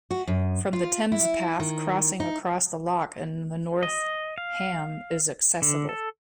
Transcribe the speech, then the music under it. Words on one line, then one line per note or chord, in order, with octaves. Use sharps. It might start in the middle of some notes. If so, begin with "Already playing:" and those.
From the Thames Path crossing across the Lock in the north Ham is accessible.
F#4
F#2
F4
E4
D#3
D#4
D#5
F5
D3
A4